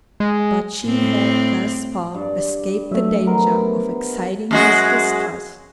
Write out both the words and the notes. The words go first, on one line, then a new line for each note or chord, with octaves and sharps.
But she had, thus far, escaped the danger of exciting his distrust.
G#3
A2 C4
G2 D5
F#3 A3 E5
B3 A#4 C5
F#2 G#3 F#4